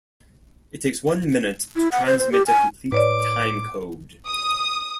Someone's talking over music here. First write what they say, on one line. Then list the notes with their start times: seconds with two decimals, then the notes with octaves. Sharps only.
It takes one minute to transmit a complete time code.
1.76 E4
1.92 F#5
2.06 C5
2.19 C5
2.32 G4
2.47 G#5
2.92 A2 B4 C#5 D5 D6
4.26 D#6